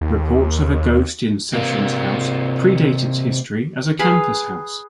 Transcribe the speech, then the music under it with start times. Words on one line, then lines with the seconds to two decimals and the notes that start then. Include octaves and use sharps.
Reports of a ghost in Sessions House predate its history as a campus house.
0.01 D#2
1.53 C3 A#3
3.99 G#4 B4 F5 B5